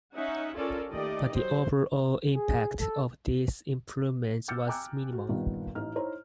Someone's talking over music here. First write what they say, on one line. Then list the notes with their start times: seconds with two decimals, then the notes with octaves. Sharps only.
But the overall impact of these improvements was minimal.
0.14 C#4 D#4 E5 F#5
0.54 C#4 F4 A4 A#4 D5
0.91 D#3 A3 A#3 G4 D5 D#5
1.33 F#3 C5
2.34 G#4
2.80 A4
4.48 D6 E6 F6 G6 A6 C#7
4.67 G5 G#5 A#5 D6 E6 F#6
5.13 F#4
5.29 G2 A#2 D#3 B3
5.75 A1 D#4 F6
5.95 D#4 E4 C5 C#5 A#5